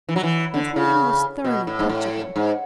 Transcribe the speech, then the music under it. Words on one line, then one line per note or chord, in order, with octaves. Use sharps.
But William was thoroughly practical.
E3
F#3
E3
D3
C#3
B2
A2
G#2
A2
G#2